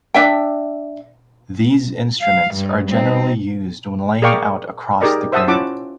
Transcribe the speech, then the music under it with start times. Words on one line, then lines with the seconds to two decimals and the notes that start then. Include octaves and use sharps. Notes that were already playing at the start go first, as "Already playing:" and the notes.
These instruments are generally used when laying out across the grain.
0.14 D4 E5 G5
2.22 F5
2.55 G2
2.91 C4 D#4
4.22 G#4 A#4 D5 F5 G5 C#6
5.01 D#4 G4 G#4 A#4 D5 D#5
5.33 C5 E5 F#5 A5 D#6 E6
5.48 C#4 E4 F4 F#5 A5 D6